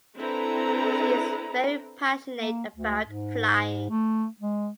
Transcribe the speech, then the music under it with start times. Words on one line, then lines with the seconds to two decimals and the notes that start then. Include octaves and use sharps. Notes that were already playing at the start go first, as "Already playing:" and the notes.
She is very passionate about flying.
0.16 C4 D4 E4 A4 B4 A#5
2.37 A#3
2.76 D2
3.04 G#2
3.90 A3
4.40 G#3